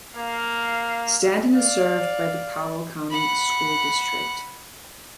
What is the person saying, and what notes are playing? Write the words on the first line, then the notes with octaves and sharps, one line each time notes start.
Stanton is served by the Powell County School District.
A#3 F5
D5 F5
F#5 B5